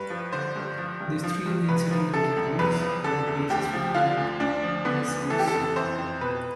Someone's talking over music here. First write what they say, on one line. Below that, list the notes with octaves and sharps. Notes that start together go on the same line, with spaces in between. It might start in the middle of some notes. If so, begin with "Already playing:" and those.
These three incidental gatherings were the basis for the term "Kreisau Circle".
Already playing: G2 B4
F3
D3 C5
G2
F3
G2
F3
G2
C2 B4
F3
C3 A4
C2
E2 B4
F3
D3 A4
E2
D2 G4
F3
D3 F4
D2
D2 D4
F3
D3 B3
D2
E3 A4
G4
A4
F2
E3 C5
F2
B2 B4